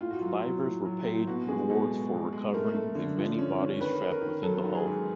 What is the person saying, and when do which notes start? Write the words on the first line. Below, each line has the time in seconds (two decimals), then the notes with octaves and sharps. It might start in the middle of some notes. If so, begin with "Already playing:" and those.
Divers were paid rewards for recovering the many bodies trapped within the hull.
0.01 A2 F4
0.11 F#4
0.19 F#3 F4
0.43 F#3
0.64 A2
0.85 F#3
1.07 A2
1.27 B2 F#4
1.48 G#3 G#4
1.70 B2 A4
1.91 G#3
2.12 B2
2.33 G#3
2.54 A3 A#4
2.74 A3
2.95 D3
3.17 F3
3.39 C#4
3.59 C#4
3.81 D#3 B4
4.01 D#3
4.11 A#4
4.22 D#3
4.43 F#3 A4
4.65 D#3
4.75 G#4
4.86 G#2